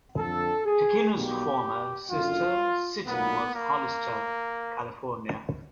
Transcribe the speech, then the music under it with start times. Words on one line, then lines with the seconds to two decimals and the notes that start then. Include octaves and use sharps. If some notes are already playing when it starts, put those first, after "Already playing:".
Takino's former sister city was Hollister, California.
0.18 F2 D3 F3 A4
0.66 G#4
1.14 B1 B2 G3 A#3 G4
2.10 F#1 F#2 D3 F4
3.06 B1 A#2 F#3 A#3 B3
3.54 A#3